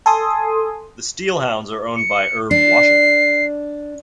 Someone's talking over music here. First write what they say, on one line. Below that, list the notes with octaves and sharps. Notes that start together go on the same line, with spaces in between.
The SteelHounds are owned by Herb Washington.
A4 G#5 C6 D#6
C#7
D4 C7